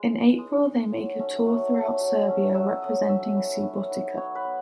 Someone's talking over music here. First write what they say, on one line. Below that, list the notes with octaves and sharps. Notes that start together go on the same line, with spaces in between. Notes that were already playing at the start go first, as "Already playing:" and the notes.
In April they make a tour throughout Serbia representing Subotica.
Already playing: G#3
D#4
G#3 D#6
D#4
F#3
A3 C#4
F#3 C#6
A3 C#4
F#3
A3 C#4
F#3 E6
A3 C#4 D#6
F#3 E5
B3 D#4
F#3
B3 D#4
F#3 C#5
B4
B3